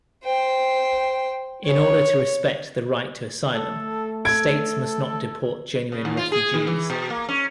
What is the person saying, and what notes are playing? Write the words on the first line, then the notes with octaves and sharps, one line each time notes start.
In order to respect the right to asylum states must not deport genuine refugees.
C5 G5
C#5
A3 A4
A4 G#6 D7
C#3
D#2
F4
G#4
D#3
E3
B2
A#3
C#4